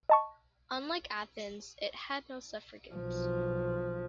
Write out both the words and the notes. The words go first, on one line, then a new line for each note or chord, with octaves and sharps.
Unlike Athens, it had no suffragans.
D#5 A5 C#6
B1 F3